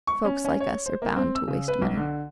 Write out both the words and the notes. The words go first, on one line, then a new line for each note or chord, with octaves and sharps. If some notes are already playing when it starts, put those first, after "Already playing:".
Folks like us are bound to waste money.
C#6
C#4
C#4
C#5
C5
A#3
C4
E6
C#3
B4
B1
D3